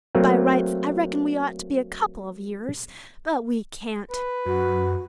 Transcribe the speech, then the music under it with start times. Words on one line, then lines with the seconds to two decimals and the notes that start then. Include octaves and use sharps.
By rights I reckon we ought to be a couple of years; but we can't.
0.15 F#3 A3 A#3 C4
4.10 B4
4.46 F#2 F#4